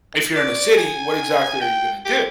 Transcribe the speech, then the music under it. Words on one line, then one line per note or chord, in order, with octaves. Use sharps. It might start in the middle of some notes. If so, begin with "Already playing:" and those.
If you're in a city, what exactly are you gonna do?
D5
G#5
G5
G4